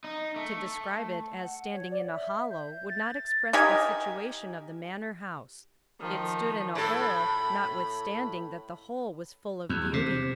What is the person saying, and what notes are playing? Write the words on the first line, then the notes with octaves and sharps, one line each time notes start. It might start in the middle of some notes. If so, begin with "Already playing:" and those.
To describe it as standing in a hollow would not express the situation of the manor-house; it stood in a hole, notwithstanding that the hole was full of beauty.
D#4
A3
F#5
C#5
D5
E5
G6
A6
D#4 G4 A#4 G#5
D#3 F3
A2 A4 B5
E2
C3